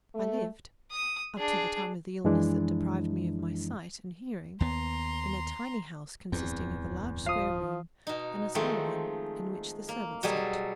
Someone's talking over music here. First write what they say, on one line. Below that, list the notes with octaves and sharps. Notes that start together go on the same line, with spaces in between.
I lived, up to the time of the illness that deprived me of my sight and hearing, in a tiny house consisting of a large square room and a small one, in which the servant slept.
A3
D#6
D4 G#4
F#2 E3 F3 G#3 D4 E4
D#2 B3 A#5 C6
D1 E2 G2 C4
F3 F5 D#6
B2 D#4
D#3 F3 G#3 A3 C4
A#3
B2 F#3 G3 G#4 A4